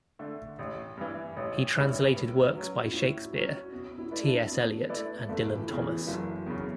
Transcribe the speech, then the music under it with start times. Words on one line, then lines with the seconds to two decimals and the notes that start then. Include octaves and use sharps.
He translated works by Shakespeare, T. S. Eliot and Dylan Thomas.
0.19 D3 A3
0.59 A1
0.97 G2 E3
1.37 A1 C#5
1.75 G2 E3 C#5
2.15 A2 B4
2.41 B4
2.55 F#3 C#4
2.86 E4
2.93 A2 F#4
3.33 F#3 C#4 F#4
3.72 B2
3.98 E4
4.11 A3 E4 B4 D5
4.24 D4
4.50 B2 B3
4.89 A3 E4 B4 D5
5.29 F#1 A3
5.55 E3
5.68 E2 C#3
5.81 E3
6.07 F#1 F#3
6.46 E2 C#3